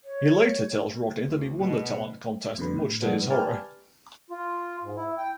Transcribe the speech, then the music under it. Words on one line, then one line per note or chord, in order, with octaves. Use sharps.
He later tells Rodney that he won the talent contest, much to his horror.
C#5
D2
B2
F2 B2 D3 B4
A2
G2 F3 G#3 B3 D4
G#2 B3
G4 B4 D5 G#5 A5 F6
F4
G#2
E4
G5